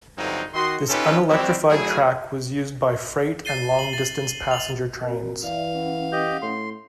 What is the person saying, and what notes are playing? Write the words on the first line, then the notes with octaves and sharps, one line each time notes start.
This unelectrified track was used by freight and long distance passenger trains.
G2 D3 F3 F#3 C4 D#4
D#3 F#4 D#5 C6
C#4 D#4 F4 G4 A4 B4
G3 C4 E4 F#4 G4
F#3 A3 E4 G#4
A6 C7 D#7 G7
F#7
A6 F#7
F7 F#7
C4 F#4 A#4
E3 D5 E5 F5
C#4 F#5
G4 D#5 G6
A2 C6